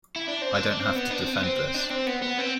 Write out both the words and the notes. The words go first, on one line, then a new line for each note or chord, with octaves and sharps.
I don't have to defend this.
E4
D4
C4
D4
D4
C4
B3
D4
C4
B3
C4
D4
C4
B3
B3
C4